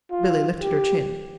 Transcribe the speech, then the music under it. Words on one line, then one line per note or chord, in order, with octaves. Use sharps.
Billy lifted her chin.
F4
G4